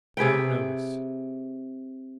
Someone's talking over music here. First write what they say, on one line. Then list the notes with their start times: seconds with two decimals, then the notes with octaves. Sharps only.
No notice.
0.17 C3 G#4 B4 G5